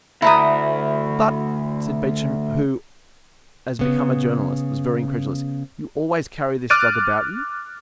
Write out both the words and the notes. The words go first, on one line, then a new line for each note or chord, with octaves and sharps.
"But," said Beauchamp, who, as became a journalist, was very incredulous, "you always carry this drug about you?"
D2 E4 A#5 D#6
C#3 B3
D6 F6 F#6 A6 D7 D#7